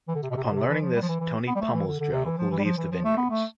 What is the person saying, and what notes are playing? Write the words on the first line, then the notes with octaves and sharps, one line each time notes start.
Upon learning this, Tony pummels Joe, who leaves the vineyards.
E3
D3
C3
B2
C3
B2
D3
C3
E3
F3
G3
F3
E3
E3
B3
G3
A3
E3
D3
D3
C3
E3
F3
E3
G3
F3
E3
F3
A3
B3
A3